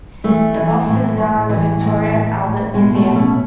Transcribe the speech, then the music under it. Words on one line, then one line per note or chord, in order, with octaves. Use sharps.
The bust is now in the Victoria and Albert Museum.
E3 A3
E3
A2
A2
E3
A2
A2
A2
B2 G#3
A3
B2
A3 C#4